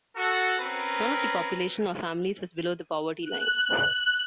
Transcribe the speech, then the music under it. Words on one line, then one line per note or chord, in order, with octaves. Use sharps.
None of the population or families was below the poverty line.
F#4 A4
C4 C#4 A#4 B4
F#6